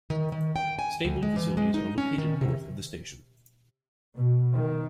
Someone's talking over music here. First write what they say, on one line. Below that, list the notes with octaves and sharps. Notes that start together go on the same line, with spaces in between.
Stabling facilities are located north of the station.
D#3
D#3
G5
G#5
D2
G#3
E3
G#3
D#4
C#4
D#3
C3
B2
D#3